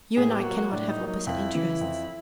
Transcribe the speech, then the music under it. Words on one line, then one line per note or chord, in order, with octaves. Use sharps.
You and I cannot have opposite interests.
A2 G#4
G4
F#3 A#3 F#4
F#4
A2 D4
D#4
F#3 A#3
D#4
F2 E4
C#3 E3
F2